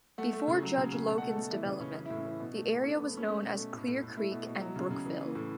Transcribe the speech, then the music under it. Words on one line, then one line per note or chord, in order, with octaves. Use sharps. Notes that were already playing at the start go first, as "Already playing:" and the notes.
Before Judge Logan's development, the area was known as Clear Creek and Brookville.
A3 F#5
A3
C#3
F#3
C#3
C#3
B2 A5
F#5
A3
A4
B2
E3 E4
C#3 B3
C#3 C#4
E3 C#4
A2 E4
C#4
E3
B2
A3
A3
A3 C#4
B3
A3
B3
A3 C#4
A3 C#4
B2
A3
A2
A2
A2
A3 E4
B2
B2
F#3
C#3
C#3
E3
E3
A2